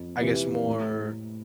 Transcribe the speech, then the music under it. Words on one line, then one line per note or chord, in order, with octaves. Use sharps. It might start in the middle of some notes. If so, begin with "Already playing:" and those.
I guess, more
Already playing: F2
C3 E3
A2